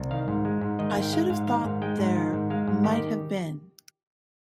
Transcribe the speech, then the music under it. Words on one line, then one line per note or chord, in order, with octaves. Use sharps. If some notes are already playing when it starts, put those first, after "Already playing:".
I should have thought there might have been.
Already playing: C2
D#3 F5
G#2
G#3
G#2
D#3 D#5
F5
G#2
G5
G#3 F5
G#2 F5
D#3 F5
G#2
G#3 G5
G#2
D#3
G#2
G#3 F5
G#2
D#3 G4